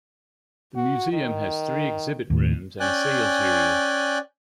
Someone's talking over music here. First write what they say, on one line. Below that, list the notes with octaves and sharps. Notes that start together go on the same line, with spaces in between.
The museum has three exhibit rooms and a sales area.
F#4
D#3
D#2 A2
C#4 D5 G5 G#5 F#6